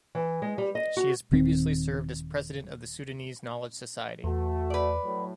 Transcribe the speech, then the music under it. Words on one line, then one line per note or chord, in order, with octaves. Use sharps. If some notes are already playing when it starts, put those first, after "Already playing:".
She has previously served as President of the Sudanese Knowledge Society.
E3
G#3
G3
D#5
F#4
D#1 D#3 C4
E2 A3 F#4
B4 D5
A2 F#3